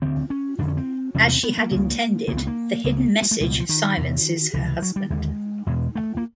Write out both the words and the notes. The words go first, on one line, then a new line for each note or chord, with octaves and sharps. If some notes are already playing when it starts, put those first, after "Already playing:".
As she had intended, the hidden message silences her husband.
D2 D3 C4
C#4
F2 D3 D4
C#4
C4
E2 C3 C#4
C4
B3
A#3
C#2 C#3
C#2 C#3 A#3
B3
A#3
C#2 C#3 A#3
G#3
A3
C#2 B2 G#3
G3
F3
D#3
E2 C3
C#2 C3 E3
F#3
G3
D#2 D3 G#3
E2 B2 G#3
A3
A#3